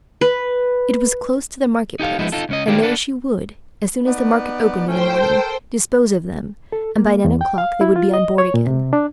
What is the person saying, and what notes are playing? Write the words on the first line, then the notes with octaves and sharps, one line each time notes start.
It was close to the marketplace, and there she would, as soon as the market opened in the morning, dispose of them; and by nine o'clock they would be on board again.
B4
D#4 G4 A4 F5
F3 G#3 B3 D#4 E4
D#4 F4 A4
C#2 C#4 D#5
D#3 G3 A#3 C4 D4 G4
A#3 B3 D4 A4
B3 D#4 D5
A2 A3 C#4 C5 G5
A4 A#4
A4
A#3
E2
G5
F5
E4
F4
D#5
C#5
A#2
C3
D4